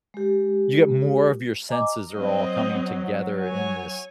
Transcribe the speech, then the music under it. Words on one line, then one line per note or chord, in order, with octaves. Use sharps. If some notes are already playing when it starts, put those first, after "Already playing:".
you get more of your senses are all coming together in this
G#3 G4
D#5 G#5 A#5 D6
F#3 C4 D#5
C#5 G#5